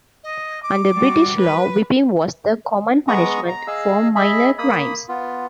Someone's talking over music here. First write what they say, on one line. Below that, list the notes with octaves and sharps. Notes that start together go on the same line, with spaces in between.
Under British law, whipping was the common punishment for minor crimes.
D#5
D6
G3 F#4
B4
G#3 B3 A#5 C#6 D#6
A#5
G#4 D#5 F5 E6
G#4 D#5 E5 B5
A#3 B5 D#6
B3 F4